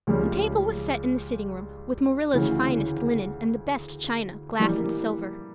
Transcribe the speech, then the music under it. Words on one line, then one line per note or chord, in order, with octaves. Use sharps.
The table was set in the sitting room, with Marilla's finest linen and the best china, glass, and silver.
C#2 C#3 G3
D2 C#3 E3
E3 G3 A#3